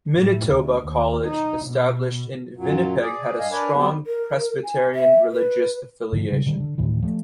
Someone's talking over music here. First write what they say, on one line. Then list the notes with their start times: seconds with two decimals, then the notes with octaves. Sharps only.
Manitoba College, established in Winnipeg had a strong Presbyterian religious affiliation.
0.16 A2
0.49 D2
0.88 D#2
1.27 D#4
1.65 B2
2.57 F#2 A#2 F#3
3.01 G#4 D5
3.39 G2 D#5 F5 G#5
3.51 D4 A#4 B4 C#5 D5 G#5
3.75 F#3 G3 B3 C4 G4
4.07 A#4
4.64 G#5
4.95 E5
5.32 B4
6.12 G#2 D3 F3
6.32 C#3 G3
6.46 D3 D#3 G3
6.60 D3
6.78 D2 A2 D#3 E3
7.03 F3 A3